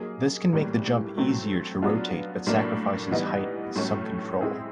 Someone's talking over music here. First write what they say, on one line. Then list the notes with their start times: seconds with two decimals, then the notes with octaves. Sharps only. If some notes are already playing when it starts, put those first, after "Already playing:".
This can make the jump easier to rotate but sacrifices height and some control.
Already playing: F#3 A#3 D#4 G#4
0.53 A2 E3 G3 A#3
1.17 F#3 A3 C4
1.82 F#3 B3 D4 F4
2.47 A2 F#3 A#3 D4
3.11 E3 G3 B3 D#4
3.76 A2 F#3 A3 C#4
4.41 G#3 C4 E4 G#4